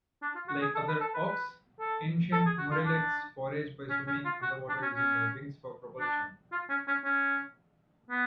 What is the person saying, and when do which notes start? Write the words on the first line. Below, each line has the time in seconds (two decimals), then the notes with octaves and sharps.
Like other auks, ancient murrelets forage by swimming underwater using their wings for propulsion.
0.22 D4
0.35 F4
0.48 F#4
0.62 G#4
0.75 A4
0.88 B4
1.01 A4
1.14 B4
1.27 B4
1.80 A4
2.33 A4
2.46 G#4
2.58 F#4
2.71 F4
2.85 D4
3.90 C#4
4.07 C#4
4.25 F4
4.42 F#4
4.69 D4
4.82 C#4
4.95 C#4
6.00 D4
6.52 F4
6.69 C#4
6.88 C#4
7.05 C#4
8.10 B3